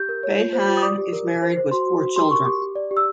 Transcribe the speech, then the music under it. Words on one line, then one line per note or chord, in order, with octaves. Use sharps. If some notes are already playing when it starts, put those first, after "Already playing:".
Behan is married with four children.
Already playing: G4 G6
A#4
C#5
F4
C5
F4
D#6
D5 D6
G4
A#4
C5
C5
C5
F#4 C6
F#4
F#4
G4 C6
A#4 C#6
G4 D6
G4
D5
G4
E6